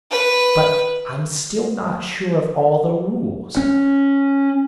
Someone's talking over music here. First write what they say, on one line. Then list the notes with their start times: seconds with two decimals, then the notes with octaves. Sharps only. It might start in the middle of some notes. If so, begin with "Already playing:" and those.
But I'm still not sure of all the rules.
0.11 B4
3.57 C#4